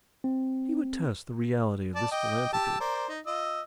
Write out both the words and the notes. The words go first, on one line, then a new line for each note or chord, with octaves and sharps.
He would test the reality of this philanthropy.
C4
D5 A5
D#5 G5 D6
G4 A5 E6
A#4 C5 D5
D#4
F4 D#5 E6